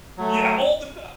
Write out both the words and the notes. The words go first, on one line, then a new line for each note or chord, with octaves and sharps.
Yeah, all the time.
F#3 A3